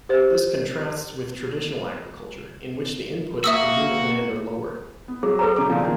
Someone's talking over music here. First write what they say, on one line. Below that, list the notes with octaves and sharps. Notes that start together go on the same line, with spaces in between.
This contrasts with traditional agriculture, in which the inputs per unit land are lower.
G4 C5
A#3 F#4 E5 D#6 E6
B3
F#3 G#4
A4 B4 A#5
C#3 D6
A#2 C#3 F3
D#3 A#3